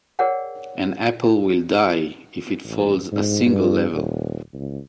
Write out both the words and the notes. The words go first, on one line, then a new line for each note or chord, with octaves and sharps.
An apple will die if it falls a single level.
G#4 A#4 C#5 D5 F#5 G5
A1
G#2
G2
D#1
C#2